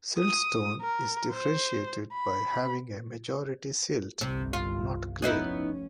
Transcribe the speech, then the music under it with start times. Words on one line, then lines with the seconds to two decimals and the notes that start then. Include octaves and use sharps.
Siltstone is differentiated by having a majority silt, not clay.
0.18 D#6
0.81 A#4
1.33 C5
2.13 B5
4.21 G1 C2 C3
4.53 F4
5.22 F1 B3 C#4 D#4 E4